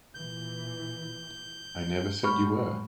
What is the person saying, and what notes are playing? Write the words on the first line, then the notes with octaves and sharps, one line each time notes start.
I never said you were.
A#2 E3 G6
A2 F#3 G#3 B5 C#6 F6